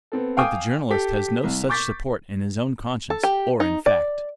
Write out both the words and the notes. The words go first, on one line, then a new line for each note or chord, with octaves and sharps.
But the journalist has no such support in his own conscience or in fact.
B3 C4 A4
F5 G5 G#5 D6 D#6
G4 A4 B6
C2
C#6 D6 G6 A6 B6
A4
G4
D#4
D5